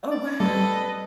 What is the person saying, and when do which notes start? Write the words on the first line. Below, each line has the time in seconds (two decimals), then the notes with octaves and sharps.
Oh, wow.
0.11 D5
0.40 G3 A4 B4 D#5